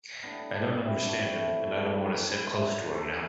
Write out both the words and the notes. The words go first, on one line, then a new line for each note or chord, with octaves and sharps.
I don't understand him, and I don't want to sit close to him now.
A2 G3 B3 D4
B3 D4
C4 E4
G4
A2 G3 D4 F#4
E4 G4
F#4 A4
G2 F#3 G4 B4
A4 C5
B4 D5
D5
C5 E5
G2 F#3
A4 C5